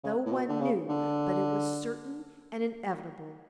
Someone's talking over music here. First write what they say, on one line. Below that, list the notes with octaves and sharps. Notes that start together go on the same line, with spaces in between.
No one knew, but it was certain and inevitable.
C#3
A2
B2
D3
C#3
D3